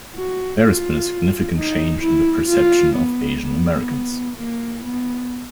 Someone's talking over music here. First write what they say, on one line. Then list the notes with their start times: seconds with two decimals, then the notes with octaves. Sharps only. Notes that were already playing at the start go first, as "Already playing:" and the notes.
There has been a significant change in the perceptions of Asian Americans.
0.15 F#4
0.62 F4
1.56 D#4
2.02 E4
2.50 F4
2.97 B3
3.43 B3
4.37 A#3
4.84 B3